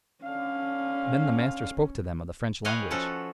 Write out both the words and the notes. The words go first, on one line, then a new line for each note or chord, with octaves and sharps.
And then the master spoke to them of the French language.
D3 C#4 F5
B4 C#5 D#5 F5 G5 G#5
F3 C#4 F#4 A4